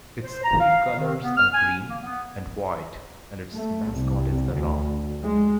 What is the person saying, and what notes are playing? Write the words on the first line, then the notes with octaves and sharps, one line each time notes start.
Its school colors are green and white and its mascot is the Ram.
C5
A#5
F5
D#3
B3
F6
G#5
A#3
B3
A3
C2
D2
G#3